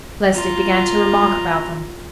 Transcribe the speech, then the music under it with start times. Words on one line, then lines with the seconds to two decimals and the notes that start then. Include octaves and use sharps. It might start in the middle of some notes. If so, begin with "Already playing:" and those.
Leslie began to remark about them.
0.35 F4 A#5